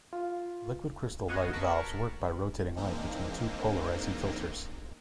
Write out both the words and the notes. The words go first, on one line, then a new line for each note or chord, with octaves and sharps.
Liquid crystal light valves work by rotating light between two polarizing filters.
F4
B3 F#4 C#5 D#5 F5
A#4 A5 B5 C#6
E3 G#3 A#3 C4 D4 D#4